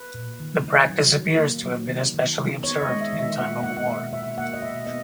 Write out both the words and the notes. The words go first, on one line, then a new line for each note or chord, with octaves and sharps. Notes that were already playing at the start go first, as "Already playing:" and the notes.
The practice appears to have been especially observed in time of war.
Already playing: B4
A#2
D#3
D#3
F#3
D#3
A#3
F#3
D#3
D#3
D#3
B3 C#5
D#5
G#3
E5
D#3
E5
A#3 F#5
B2 F#5
F#5
B2 E5
B2 E5
A#3 F#5
D#5
B2 E5
B3 D#5